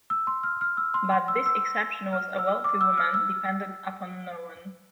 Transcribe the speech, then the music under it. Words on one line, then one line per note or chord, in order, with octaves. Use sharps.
But this exception is a wealthy woman, dependent upon no one.
E6
C6
F6
F6
E6
C6
C6
E6
E6
F6
E6
D6
E6
F6
E6